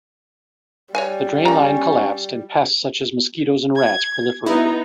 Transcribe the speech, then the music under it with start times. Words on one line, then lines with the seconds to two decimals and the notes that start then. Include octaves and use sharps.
The drain line collapsed and pests such as mosquitos and rats proliferated.
0.95 G3 C#5 F5 G#5
1.45 A#3 C#4 A#5
3.75 G#6
4.46 B3 D#4 E4 A#5